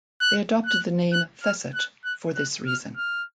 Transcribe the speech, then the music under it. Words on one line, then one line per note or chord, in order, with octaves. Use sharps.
They adopted the name 'Theset' for this reason.
F#6
F#6
F#6
F6
F#6
F#6
F#6
F6
F6